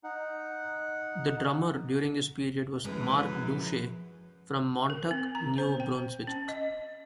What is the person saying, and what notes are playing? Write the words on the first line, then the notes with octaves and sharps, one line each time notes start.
The drummer during this period was Marc Doucet from Moncton, New Brunswick.
D#4 F#5
F#2 F3 G#3 E4 B4
A#4
C4
A#5
C5
G5
C#4
D#5